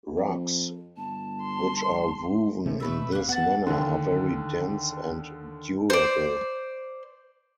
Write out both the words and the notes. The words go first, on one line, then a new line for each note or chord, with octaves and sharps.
Rugs which are woven in this manner are very dense and durable.
F2
G1 A5
C6
C3 A3 C#4
B2 A3 B4 E5
D1 A#3 F#6
B3 F#5 A5
D#2 D3
C5 D5